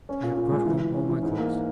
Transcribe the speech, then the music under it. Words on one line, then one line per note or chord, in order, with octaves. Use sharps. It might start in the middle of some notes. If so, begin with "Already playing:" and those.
I have brought home all my clothes.'
C#4
A#2
A#2
G#3
E3
E3
C#4
E3
G#2
A#3